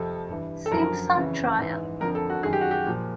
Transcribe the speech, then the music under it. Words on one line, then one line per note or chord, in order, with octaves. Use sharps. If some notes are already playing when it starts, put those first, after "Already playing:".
Simpson trial.
Already playing: F2 C3 F3 A4
G2 E3
A4
F#2 D3 F3 A#4
F2 C#3 E3
G#2 E3
F2 D3 F3 A#4
A4
F#4
F#2 D#3 G#4
G4
F#4
G4
A#2 F3